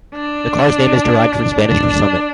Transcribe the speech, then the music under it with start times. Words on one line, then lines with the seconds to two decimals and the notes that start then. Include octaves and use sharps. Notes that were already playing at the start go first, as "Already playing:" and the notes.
The car's name is derived from Spanish for "summit".
0.14 D4
1.67 D4